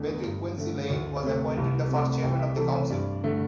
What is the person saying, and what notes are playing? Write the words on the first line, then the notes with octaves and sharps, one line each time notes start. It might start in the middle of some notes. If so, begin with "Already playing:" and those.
Frederick Quincey Lane was appointed the first chairman of the council.
Already playing: E2 D3 A3
G2
D3 A3
D2
C3 A3
C2
C3 A3
C2 G5
E5
C3 E3 A3 A4
C5
G2 D5
D3 A3